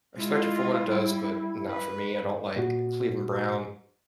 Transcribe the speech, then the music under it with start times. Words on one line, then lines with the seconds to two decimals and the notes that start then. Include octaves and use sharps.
I respect it for what it does, but not for me. I don't like Cleveland Brown
0.17 G#3 E4 F4
0.89 G3
1.69 B4
2.56 A#2 F#4